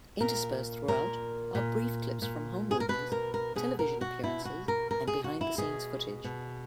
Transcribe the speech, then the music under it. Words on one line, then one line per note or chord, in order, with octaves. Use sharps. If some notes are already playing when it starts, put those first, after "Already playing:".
Interspersed throughout are brief clips from home movies, television appearances and behind-the-scenes footage.
A#2 A#4
A#2 A#4
A#2
A#2
G#4
A#4
B2 B4
A#4
A#4
B2 G#4
A#4
F#4
B2 E4
F#4
A#4
B2 A#4
G#4
F#4
E4
B2 G#4
B2